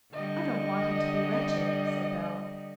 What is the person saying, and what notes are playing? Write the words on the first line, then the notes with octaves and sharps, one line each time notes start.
"I don't want him to be wretched," said Bell.
D3 G3 D#5